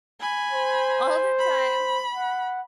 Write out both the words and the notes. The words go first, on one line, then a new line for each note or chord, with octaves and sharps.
all the time.
G#5 B5
C5
B5
F#5